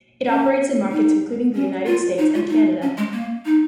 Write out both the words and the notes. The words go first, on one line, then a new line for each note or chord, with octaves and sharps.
It operates in markets including the United States, and Canada.
C#4
D#4
C#4
F4
D#4
F4
D#4
C#4
G#3
A#3
D#4